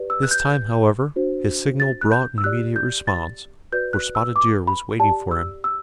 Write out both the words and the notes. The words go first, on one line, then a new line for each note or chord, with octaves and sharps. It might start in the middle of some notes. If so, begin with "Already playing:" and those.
This time, however, his signal brought an immediate response, for Spotted Deer was waiting for him.
Already playing: G4 B4 D5
E6
F#6
G6
D4 F#4 C5
A6
F#6
G6
E6
G4 D5 F#6
G6
A6
F#4 B4 D5 G6
F#6
E6
D6
B5
G4 D5 A5
E6
E6